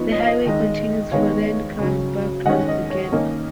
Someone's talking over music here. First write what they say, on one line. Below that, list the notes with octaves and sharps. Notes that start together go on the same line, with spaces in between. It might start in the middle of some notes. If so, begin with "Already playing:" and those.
The highway continues for then curves back north again.
Already playing: F3 B3 D#4 C#5
D#5
F5
D#5
D#3 G#3 D#4
D#3 G#3 B3 D#4 C#5 F5
C#3 F#3 C#4
D#3 G#3 C#4 D#5 F#5
D#5
C#5
D#3 A#3 C#4 D#5